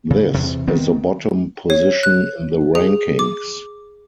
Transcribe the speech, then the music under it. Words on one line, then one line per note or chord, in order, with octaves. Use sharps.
This is the bottom position in the rankings.
C#3
E2 C3
D#3 B3 C4
C#5
F#6
G#4
D6